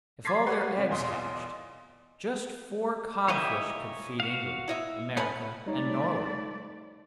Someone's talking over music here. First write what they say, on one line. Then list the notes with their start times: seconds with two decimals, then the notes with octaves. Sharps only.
"If all their eggs hatched, just four codfish could feed England, America, and Norway."
0.25 C6 D6 G#6 A6 B6 C7
0.46 G4 B4 D5 F#5 C#6
0.77 C3 C#5
0.91 B1 E2 F4 D5 D#5 C6
3.28 E3 A#3 G4 C#5 D#5 E5
4.20 F#4 F5
4.68 E4 D#5 E5
5.17 B3 C#4 A4 B4 B5
5.66 G3 A3 D#4 C#5 D5